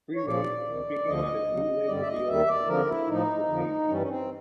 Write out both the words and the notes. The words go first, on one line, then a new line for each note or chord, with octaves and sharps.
Freeway, speaking on his new label deal and relationship with Jay-Z.
C#5
A#2 F3 D5
D2 C3 D#3
D2 D3 F3 D#5
D2 C#3 F#3
G2 D3 G3 D5
E5
D#5
D#2 D#3 G3 E5
D5
F2 D3 F3 A#4
E4
A2 F3 D#4
F2 D3 F3
G2 E3 G3 C#4
C#4
C4